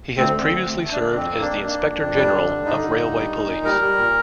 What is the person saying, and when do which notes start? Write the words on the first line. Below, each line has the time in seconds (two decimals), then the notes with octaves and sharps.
He has previously served as the Inspector General of Railway Police.
0.17 D2 C4
0.34 D3
0.42 C4
0.50 D2
0.66 D2
0.83 A3
0.92 D4
1.00 D3
1.16 F2 C4
1.32 A#3
1.42 D4
1.50 D#3
1.66 A#3
1.82 F2
1.99 F2
2.15 G3
2.33 D3
2.48 G2
2.65 D3 D#4
2.82 D3
2.99 G2
3.15 G3
3.31 A#2
3.48 A#2
3.64 G3 A#4
3.81 G3
3.98 A#2